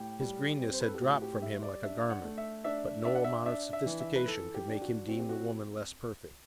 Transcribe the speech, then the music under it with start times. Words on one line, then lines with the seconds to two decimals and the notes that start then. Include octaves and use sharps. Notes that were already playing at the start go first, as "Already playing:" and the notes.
His greenness had dropped from him like a garment, but no amount of sophistication could make him deem the woman less perfect.
Already playing: A2 G4
0.20 G3
0.61 C4
0.73 C5
0.81 B4
0.87 A4
0.95 G4
1.01 A2 F#4
1.22 G4
1.42 G3 E5
1.63 D5
1.83 D4 E5
2.10 F#5
2.24 A3
2.38 E5
2.64 D4 E5
3.05 D4 E5
3.15 F#5
3.24 E5
3.46 D4 E5
3.73 E5
3.86 E3
4.00 E5
4.16 B4
4.27 E3 A4
4.54 G4
4.68 D4
4.82 F#4
5.08 C4 F#4
5.19 G4
5.29 F#4